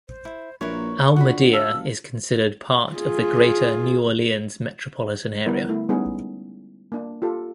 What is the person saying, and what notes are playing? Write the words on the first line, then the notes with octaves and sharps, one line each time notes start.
Almedia is considered part of the Greater New Orleans Metropolitan area.
C5
E4
A#1 A#3 E4 A#4 B4 C#5 C#6
D3 F4 F#4 D#5 F#5 B5
A4 F5 E6
G1
F4 G#4
D3 G3 B3 E4 A#4
A3 E4
G3 G#3 B3 C#4 D#4 G#4
A#3 D4
F4 G4 A4